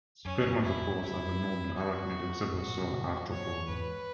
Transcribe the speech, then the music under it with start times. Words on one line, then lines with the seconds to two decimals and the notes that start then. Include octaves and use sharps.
Spermatophores are the norm in arachnids and several soil arthropods.
0.25 F#2 C#4
0.44 F#2 A#2
0.62 F#2 E4
0.82 F#2
1.01 F#2 E4
1.78 F#4
2.53 F#2 A#2 F#4
2.68 A#2
2.79 B2
2.91 A#2 C#3
3.30 F#2 A#2 C#5
3.68 E2 G#2 B4